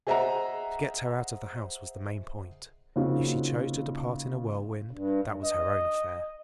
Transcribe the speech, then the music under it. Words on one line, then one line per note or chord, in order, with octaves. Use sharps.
To get her out of the house was the main point; if she chose to depart in a whirlwind, that was her own affair.
G#4 C5 D#5 E5 F#5 A#5
C#3 A#3 C4 D#4 F4 F#4
G2
D#5